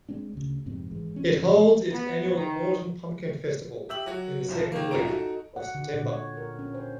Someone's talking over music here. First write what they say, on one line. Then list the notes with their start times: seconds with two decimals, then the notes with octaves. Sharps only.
It holds its annual Morton Pumpkin Festival in the second week of September.
0.09 G#3 C4 D4
0.34 D2 C#3
0.66 F2 G#2 C3 C4
0.91 G#1 E3 G#3
1.16 F1 F3 C4 C#4
1.51 B2 E3 G#3 A3
1.92 B3
2.35 D#3
3.89 G4 E5 E6 F#7
4.06 F#3 F#4
4.49 F1 C2 F3
4.72 D#3 A#3
4.91 C2 F#2 F4 A#5 D7
5.05 D#4 F#4 A4
5.56 F#5
5.75 D3
5.94 A#2
6.11 C#5
6.37 A#4
6.59 C#4
6.74 C5